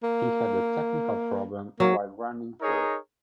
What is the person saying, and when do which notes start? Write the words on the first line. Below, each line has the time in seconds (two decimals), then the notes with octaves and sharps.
He had a technical problem while running third.
0.03 A#3
1.80 F#3 A#3
2.61 D#4 G#4 A#4 C#5